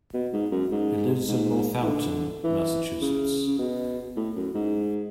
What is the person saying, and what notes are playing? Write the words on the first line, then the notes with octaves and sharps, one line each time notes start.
He lives in Northampton, Massachusetts.
B2
G#2
F#2
G#2
G#2
E3
D3
E3
C#3
C#3
B2
A2
F#2
G#2